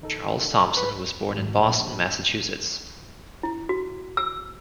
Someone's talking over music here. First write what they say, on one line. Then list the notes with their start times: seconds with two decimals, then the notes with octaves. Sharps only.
Charles Thompson was born in Boston, Massachusetts.
0.02 D#3 D#4 A4
0.77 B4
1.28 G#1
1.59 A#1
3.43 E4
3.69 F#4
4.17 E6